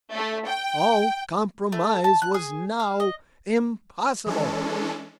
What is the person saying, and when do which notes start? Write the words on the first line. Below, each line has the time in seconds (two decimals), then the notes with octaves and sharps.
All compromise was now impossible!
0.13 A3
0.46 G5
1.72 A3
2.04 A5
2.22 F#6
2.34 G#4
2.80 F5
3.00 D#5
4.26 E3 G#3 C#4 D4 A4